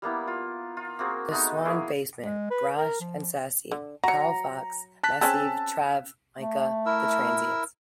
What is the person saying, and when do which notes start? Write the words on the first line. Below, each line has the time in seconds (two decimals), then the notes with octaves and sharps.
The Swan Basement: Brash and Sassy, Carl Fox, Massiv Trav, Micah, The Transients.
0.02 G3 A#3 B3 E4
0.27 F4
0.77 F4
0.99 A#3 C4 F#4 G#4
1.31 G#3 A3 B3 D#4
1.65 A#3 E4 F#4 G#4
2.24 G#3
2.51 B4
2.78 A#4
3.00 F3
3.71 D3
4.04 F#3 F#4 A#5 C#7
5.03 A5 F#6 B6
5.21 C4 C#4 G#4 A5 E6 F#6
6.39 A3
6.86 E4 A#4 E6